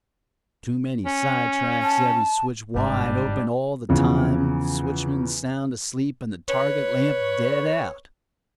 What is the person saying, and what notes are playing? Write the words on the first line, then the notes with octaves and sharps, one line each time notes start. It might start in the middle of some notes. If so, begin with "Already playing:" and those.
Too many side tracks; every switch wide open all the time, switchman sound asleep and the target-lamp dead out.
C#4
A5
G1 G#2 G3 D4
E2 C#3 F3
B4 C#5